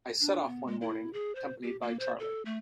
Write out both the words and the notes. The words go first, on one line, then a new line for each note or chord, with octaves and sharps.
I set off one morning, accompanied by Charley.
D4
B3
G#3
E4
G#4
C5
G4
A#3
C5
A4
A3